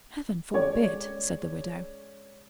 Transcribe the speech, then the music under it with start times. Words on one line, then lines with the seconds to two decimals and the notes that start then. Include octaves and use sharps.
"Heaven forbid!" said the widow.
0.53 G#3 C#4 C#5 D5